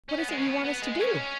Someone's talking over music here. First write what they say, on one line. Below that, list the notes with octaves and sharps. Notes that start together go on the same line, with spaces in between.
"What is it you want us to do?"
C#4
B3
G#3
C#4
B3
B3
G#3
C#4